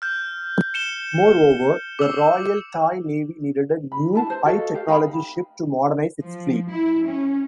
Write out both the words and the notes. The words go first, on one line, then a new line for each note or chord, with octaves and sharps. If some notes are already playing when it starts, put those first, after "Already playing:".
Moreover, the Royal Thai Navy needed a new, high-technology ship to modernize its fleet.
F6 G6
C#7 E7 G7
D6 E6
B5
D4 E4 A5
C5
F#4 A4 D#5 F5
G4 F5
D#4 F5 G5 B5
F3
E4
C#4